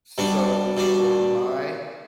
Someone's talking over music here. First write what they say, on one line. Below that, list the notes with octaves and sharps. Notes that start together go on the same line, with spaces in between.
so for my,
B2 G3 D4
B2 G3 D4